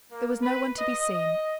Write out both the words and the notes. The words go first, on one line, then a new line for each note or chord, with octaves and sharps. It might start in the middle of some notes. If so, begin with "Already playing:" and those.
There was no one to be seen.
A#3
B4
D#5
D#5